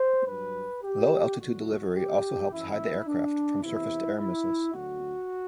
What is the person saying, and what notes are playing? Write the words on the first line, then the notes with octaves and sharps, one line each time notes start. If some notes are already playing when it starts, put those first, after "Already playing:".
Low-altitude delivery also helps hide the aircraft from surface-to-air missiles.
Already playing: C5
G2 F#3 B4
G4
D2 D3 F#3 F#4
G4
F#2 E3 E4
D4
E2 C3 E3 E4
E4
D2 D3 F#3 F#4